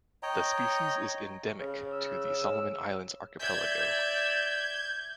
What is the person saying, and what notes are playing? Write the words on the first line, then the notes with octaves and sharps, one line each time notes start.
The species is endemic to the Solomon Islands archipelago.
C#5 D#5 G5 A#5
C#3
E6
D5 E5 G6 G#6